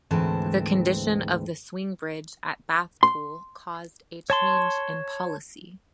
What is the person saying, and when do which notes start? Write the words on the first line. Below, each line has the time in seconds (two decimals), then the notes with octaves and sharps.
The condition of the swing bridge at Bathpool caused a change in policy.
0.11 D2 G#2 E3 C4 A5
3.03 C6
4.30 C#5 A5 C6